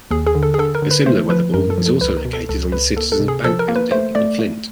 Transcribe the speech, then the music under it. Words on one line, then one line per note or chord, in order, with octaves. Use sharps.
A similar weatherball is also located on the Citizen's Bank building in Flint.
D#2 G#4
G#4
D3
A4
G#4
D3 A4
A#4
D3
B4
A3 C5
F3 B4
F#2 A#4
A4
F3
A4
C#2 B4
A#4
B2
A4
C#2 A4
C#2 B4
A#3 A4
A4
C3
G#4
F3 A4
A#4
A#3
B4
A3 C5
A3 D5
A3